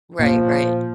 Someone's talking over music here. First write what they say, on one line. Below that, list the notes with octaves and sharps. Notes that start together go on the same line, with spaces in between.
Right, right.
A#2 F3